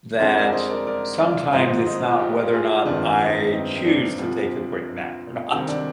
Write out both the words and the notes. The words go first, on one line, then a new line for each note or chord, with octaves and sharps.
that sometimes it's not whether or not I choose to take a quick nap or not,
F2 D3 G#3 G#4 C5
A#4 D5
C5 D#5
A#4 D5
A#4 D5
D5 F5
G#1 G#2 F3 C5 D#5
C5 D#5
F4
D#4 G4
F4 G#4
G1 F2 D#3 G#3 D4 F4
C4 D#4
C4 D#4
C4
D4
D2 C3 F3
D2 C3 D#3 G3 C4
D4